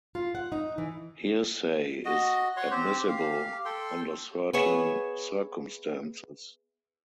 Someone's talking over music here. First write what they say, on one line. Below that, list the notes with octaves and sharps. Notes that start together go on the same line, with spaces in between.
Hearsay is admissible under certain circumstances.
F4
F#5
D#4
E3
F#4 D#5
C#5 F#5 C6 C#6
C4 G4 C5
G4 F5
A4 G5 C6
B3 G#4 C#5 E5